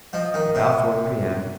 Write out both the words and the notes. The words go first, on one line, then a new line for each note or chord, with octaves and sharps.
About four p.m.
F3 D#5
D#3
C3